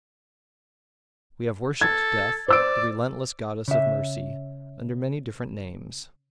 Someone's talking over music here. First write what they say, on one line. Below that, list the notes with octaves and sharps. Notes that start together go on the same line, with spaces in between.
We have worshipped Death, the relentless goddess of mercy, under many different names.
A4 G#6
C5 D5 E6 D7
C#3 E5